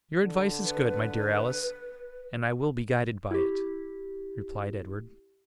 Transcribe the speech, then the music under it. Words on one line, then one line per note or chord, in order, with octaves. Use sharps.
"Your advice is good, my dear Alice, and I will be guided by it," replied Edward.
D3
B4
E4 G4